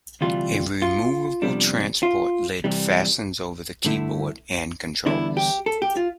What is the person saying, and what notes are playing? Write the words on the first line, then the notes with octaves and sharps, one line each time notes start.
A removable transport lid fastens over the keyboard and controls.
D2 C3 E3 G3 F4
F4
F2 C3 G3 B3 D4
F4
C2 C3 E3 G3
G2 D3 A3 E4
E2 D3 G3 B3 D4 E4
G4
A4
G4
F4